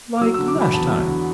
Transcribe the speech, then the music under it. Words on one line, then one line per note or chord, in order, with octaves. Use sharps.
"Like last time?"
D6
F#3 E6
D3 E6
D6
F#3 B5
E2 A5
F#3
D3